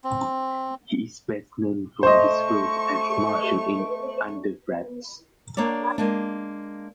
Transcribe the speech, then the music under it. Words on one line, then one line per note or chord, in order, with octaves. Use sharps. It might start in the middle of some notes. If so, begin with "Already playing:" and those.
He is best known for his role as Marshall in "Under Wraps".
C4
A3 C5 D#5 C#6
A#3 D4 C#5 D5
G#3 A#3 D4